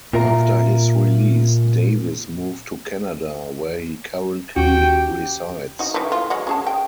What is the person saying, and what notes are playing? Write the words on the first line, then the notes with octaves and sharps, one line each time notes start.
After his release, Davis moved to Canada, where he currently resides.
A#2 F4 A#4 E5 A#5
D#2 C#4 F#4 G4 G5
D#4 F#4
E3 A3
F4
F#3 G#3 F#5
C#4 G#4 A5
G5